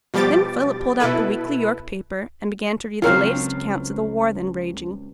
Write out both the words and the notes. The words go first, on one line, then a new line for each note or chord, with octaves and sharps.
Then Philip pulled out the weekly York paper, and began to read the latest accounts of the war then raging.
B2 F3 G3 G4 D6 A6
B2 E4 A4 B4
C#2 F#3 C4 F4 A#4 F5